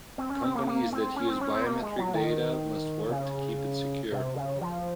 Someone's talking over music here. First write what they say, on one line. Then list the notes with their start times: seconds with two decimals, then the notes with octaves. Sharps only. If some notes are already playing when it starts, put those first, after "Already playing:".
Companies that use biometric data must work to keep it secure.
0.18 C4
0.30 C#4
0.42 C4
0.55 A#3
0.67 A#3
0.92 C4
1.16 C#4
1.28 C4
1.41 C#4
1.53 C4
1.65 A#3
1.82 G#3
1.98 F#3
2.14 D#3
3.09 C3
3.13 C#3
4.12 C3
4.36 C#3
4.61 F3